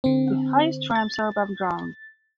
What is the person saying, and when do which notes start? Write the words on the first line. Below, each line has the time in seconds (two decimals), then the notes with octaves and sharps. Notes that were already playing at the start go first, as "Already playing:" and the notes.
The highest ramps are above ground.
0.04 D3 C4
0.95 A6